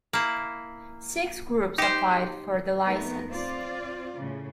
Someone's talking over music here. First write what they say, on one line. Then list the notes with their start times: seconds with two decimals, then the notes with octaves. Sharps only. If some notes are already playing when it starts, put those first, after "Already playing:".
Six groups applied for the license.
0.13 A#3 E4
1.78 D#4 G4 C5
2.83 F2 A3 B3 D#4 A#4
3.29 C4 F4 D5
4.17 A2 C#3